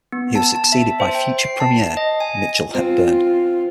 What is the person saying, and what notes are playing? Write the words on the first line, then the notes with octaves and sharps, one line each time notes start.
He was succeeded by future Premier Mitchell Hepburn.
B3
A5
A5
E5
C5
G5
C7
A5
D#5
G#5
C4 F4